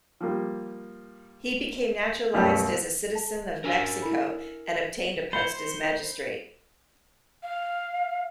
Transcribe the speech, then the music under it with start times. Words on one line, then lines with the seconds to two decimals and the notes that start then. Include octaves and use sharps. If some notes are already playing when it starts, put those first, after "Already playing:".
He became naturalized as a citizen of Mexico and obtained a post as magistrate.
0.20 F3 G3 A#3
2.34 C#2 F#2 B2 G3 A3
3.15 A5
3.64 D4 F#4 A#4 E5 F5 G#5
4.02 E4 A4 B5
5.33 C5 B5 C#7
7.43 F5